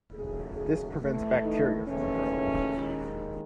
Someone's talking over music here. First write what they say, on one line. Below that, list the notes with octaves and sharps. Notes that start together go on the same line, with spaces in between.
This prevents bacteria from growing.
D#2 C#3 F#3 A3 G#4
G#4
A2 E3 A3
D#4
D#2 C#3 E3 A3 C#4
D#2 D#3 G#3